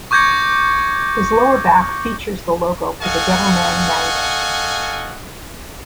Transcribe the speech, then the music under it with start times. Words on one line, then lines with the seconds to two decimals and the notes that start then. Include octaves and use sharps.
His lower back features the logo for the Devilman manga.
0.11 C#6 D6 G6 G#6 A#6 C#7
3.01 A4 D#5 F5 F#5 G#5 C#6